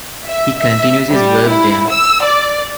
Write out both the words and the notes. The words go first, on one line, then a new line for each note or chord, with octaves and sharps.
He continues his work there.
E5
E5
G3
E4
E6
D5